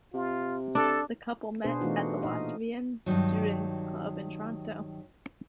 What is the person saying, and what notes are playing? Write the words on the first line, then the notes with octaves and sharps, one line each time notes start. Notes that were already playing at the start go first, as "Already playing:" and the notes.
The couple met at the Latvian Students Club in Toronto.
C3 F4
D4 A4
B2 B3 D4 G#4 B4 C5
E3 A3 D4 D#4 F4 F#4
A#2 D#4 D#5 F5
G2 C3 D#3 F#3